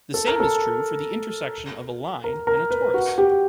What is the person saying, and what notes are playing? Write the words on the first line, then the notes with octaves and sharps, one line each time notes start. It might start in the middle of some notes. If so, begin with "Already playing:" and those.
The same is true for the intersection of a line and a torus.
A4
A#4
A4
A#4
A#4
B4
F#4
G4